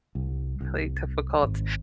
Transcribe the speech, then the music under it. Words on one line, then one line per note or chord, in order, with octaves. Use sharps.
really difficult.
C2
C2
G#1